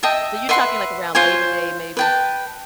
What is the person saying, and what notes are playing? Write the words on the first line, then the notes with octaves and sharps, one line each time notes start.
So you're talking. like, around Labor Day maybe?
D#5 E5 G5 A5
B4 E5 F#5 C6
F4 C5 C#5 G#5
B4 G5 A5